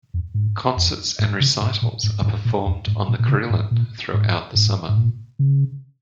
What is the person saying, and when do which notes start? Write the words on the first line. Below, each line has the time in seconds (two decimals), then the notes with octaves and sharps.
Concerts and recitals are performed on the carillon throughout the summer.
0.14 F2
0.34 G#2
0.77 F2
1.19 G#2
1.40 C#3
1.61 G#2
1.82 A#2
2.03 G#2
2.24 G#2
2.45 A#2
2.66 F2
2.87 G#2
3.08 A#2
3.19 A#2
3.29 C#3
3.50 G#2
3.71 A#2
4.14 G#2
4.55 G#2
4.89 G#2
4.97 A#2
5.39 C#3